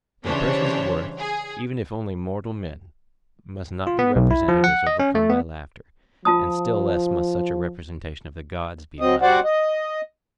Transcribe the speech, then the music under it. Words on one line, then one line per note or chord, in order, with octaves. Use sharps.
Then persons of worth, even if only mortal men, must not be represented as overcome by laughter, and still less must such a representation of the gods be allowed.
C#3 E3 G3 D4 C5 C#5
G#4
F4
B3
B1
E4
F3
F#5
D#5
C#4
A3
B3
F3 F4 A5 D#6
F#3 C4 D#5
G3 F#4 C5 D5 F#5
D#5